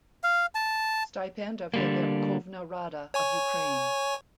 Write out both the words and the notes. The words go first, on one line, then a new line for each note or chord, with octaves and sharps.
Stipend of the Verkhovna Rada of Ukraine.
F5
A5
D3 G3 A#3
C#5 G#5 C#6